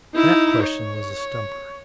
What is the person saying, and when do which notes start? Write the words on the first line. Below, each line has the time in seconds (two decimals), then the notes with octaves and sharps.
That question was a stumper.
0.15 D#4 E4
0.64 C#5